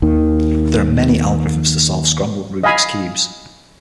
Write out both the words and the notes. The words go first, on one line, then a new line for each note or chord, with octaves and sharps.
There are many algorithms to solve scrambled Rubik's Cubes.
D#2 D#3
D#5 F5 G#5 B5